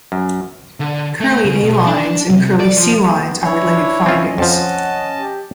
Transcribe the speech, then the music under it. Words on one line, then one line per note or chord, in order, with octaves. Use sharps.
Kerley A lines and Kerley C lines are related findings.
F#2
D3
A3
C#3
B2
D4
C3
D5
F3
B3
D4 E4 C#5
C4 C#4 F4 D#5
F2 F3 F#5 A5
G4